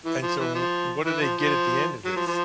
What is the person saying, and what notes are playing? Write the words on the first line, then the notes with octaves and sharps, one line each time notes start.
and so w what do they get at the end of this?
E3
F3
E3
F3
E3
F3
F3
F#3
F3
F3